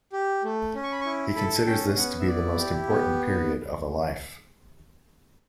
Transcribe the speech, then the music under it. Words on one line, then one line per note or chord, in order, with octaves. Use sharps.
He considers this to be the most important period of a life.
G4
A3
C#4
C#6
B5
E4 C#6
A4 B5
C#4 G5
B3 F#5
E5
E4 D5
G4
B3